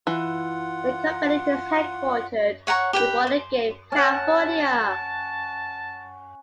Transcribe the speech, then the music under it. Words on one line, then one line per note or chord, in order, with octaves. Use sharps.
The company is headquartered in Burlingame, California.
E3 F4 F#5
C#5 F#5 A#5 C#6
G4 B4 G5
C5
C#4 F#5 A5